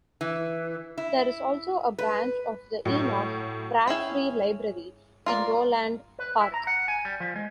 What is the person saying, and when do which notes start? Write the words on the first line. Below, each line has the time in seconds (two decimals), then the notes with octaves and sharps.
There is also a branch of the Enoch Pratt Free Library in Roland Park.
0.21 E3
0.98 E4
1.98 B4
2.85 A2 F#3
3.87 C#4 E4 G#4 G5
5.26 F4 A#4 D5
6.19 B4
6.41 E4
6.54 A#5
6.67 F#5
6.88 G#5
7.05 G3
7.20 F3
7.36 G#3